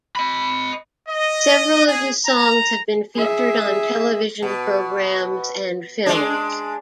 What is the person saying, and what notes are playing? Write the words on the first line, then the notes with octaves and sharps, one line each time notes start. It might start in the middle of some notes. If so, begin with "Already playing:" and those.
Several of his songs have been featured on television programs and films.
D#5 B5
D#5
G#4
A#5
G#4 E5
B2
G#3 D4